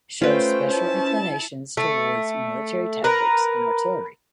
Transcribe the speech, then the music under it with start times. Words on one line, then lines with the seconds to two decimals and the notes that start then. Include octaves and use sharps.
Shows special inclinations towards military tactics and artillery.
0.22 A3 C#4 F4 B4 C5 G5
0.71 E4 A5
1.77 A3
3.04 A#4 B4